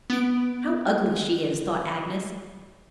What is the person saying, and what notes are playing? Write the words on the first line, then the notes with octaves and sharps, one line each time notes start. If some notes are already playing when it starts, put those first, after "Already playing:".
"How ugly she is!" thought Agnes.
B3 D7